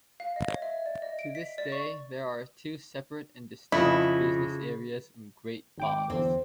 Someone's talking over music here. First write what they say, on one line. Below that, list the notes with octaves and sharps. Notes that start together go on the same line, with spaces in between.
To this day, there are two separate and distinct business areas in Great Falls.
F5
D#5
C#5
E5
D5
D#5
D7
B6
D5
C#6
F2 C#3 E4 F4
G#1 G5 D6
E2 D3 E3 C4